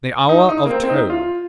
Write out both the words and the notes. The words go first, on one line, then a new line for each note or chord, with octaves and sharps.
The hour of Toad!
D#4
D#4
A#3
C4
C4
D#4
F4